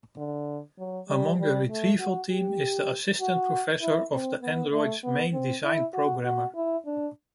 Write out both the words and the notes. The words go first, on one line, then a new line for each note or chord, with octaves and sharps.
Among the retrieval team is the assistant professor of the android's main design programmer.
D3
F#3
G3
G3
A3
F#4
G4
F#4
E4
C4
B3
A3
B3
C4
E4
F#4
F#4
E4
D4